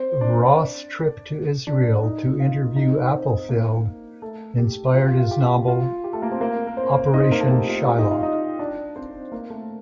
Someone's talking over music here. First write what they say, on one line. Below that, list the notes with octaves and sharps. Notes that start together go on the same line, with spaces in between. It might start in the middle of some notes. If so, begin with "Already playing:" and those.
Roth's trip to Israel to interview Appelfeld inspired his novel "Operation Shylock".
Already playing: C4 C5
D4 D5
D4 D5
D#4 D#5
F4 F5
D#4 D#5
C4 C5
A#3 A#4
A3 A4
G4
F4
G4
F4
G4
F4
G4
A3 A4
A#3 A#4
C4 C5
A#3 A#4
A#4
C4 C5
D#4 D#5
C4 C5
A#3 A#4
A3 A4
G4
F4
G4
D#4 D#5
F4 F5
D#4 D#5
D4 D5
C4 C5
A#3 A#4
A3 A4